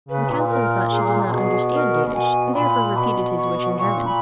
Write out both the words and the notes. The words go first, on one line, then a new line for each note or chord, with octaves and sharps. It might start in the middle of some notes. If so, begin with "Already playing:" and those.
The Councillor thought she did not understand Danish, and therefore repeated his wish in German.
C#3 B4
A#2
A#4
G#4
A#2
B2 G#4
A#4
B2 G#5
A#2 B5
B2 B5
C#6
A#2 C#6
A#2 B5